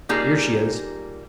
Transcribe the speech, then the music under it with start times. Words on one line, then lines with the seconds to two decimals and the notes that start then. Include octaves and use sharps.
Here she is.
0.09 G3 A#3 D#4 F4 G4 G#4